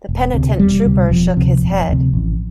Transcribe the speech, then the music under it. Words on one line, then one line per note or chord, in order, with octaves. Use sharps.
The penitent trooper shook his head.
E1
D2 C3
E1 G3
D2 C3
E1 F3
D2 C3
E1
D2 C3
A1